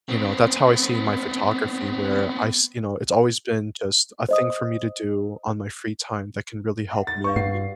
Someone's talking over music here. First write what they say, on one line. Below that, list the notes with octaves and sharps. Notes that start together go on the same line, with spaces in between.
you know, that's how I see my photography, where I s you know, it's always been just a thing for me to do on my free time that can really help me,
B3 C4
C5 D#5 D#6
E5 F#5
A6
B4 D5 F5 C#6
G2 F#5 C7
F#4